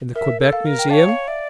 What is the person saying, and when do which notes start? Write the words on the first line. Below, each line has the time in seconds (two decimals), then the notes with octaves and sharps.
"In the Quebec Museum?"
0.15 A#4 E5
0.40 A4
0.53 F5
0.66 A#4
0.79 G5
0.90 C#5 D5 F5 A5
1.09 F5
1.28 D5 E5